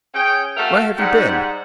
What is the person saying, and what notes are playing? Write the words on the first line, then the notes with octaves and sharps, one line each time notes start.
"Where have you been?"
C#4 G#4 C#5 G5
A3 F#4 A4 A#4 E5 F5
G#2 G3 F#5